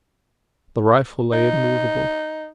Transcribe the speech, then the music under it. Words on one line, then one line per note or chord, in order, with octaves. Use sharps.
The rifle lay immovable.
D#4